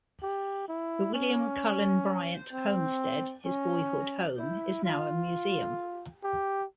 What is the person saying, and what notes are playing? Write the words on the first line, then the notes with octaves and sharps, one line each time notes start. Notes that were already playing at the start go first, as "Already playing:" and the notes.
The William Cullen Bryant Homestead, his boyhood home, is now a museum.
G4
E4
C#4
C4
C#4
E4
F4
G4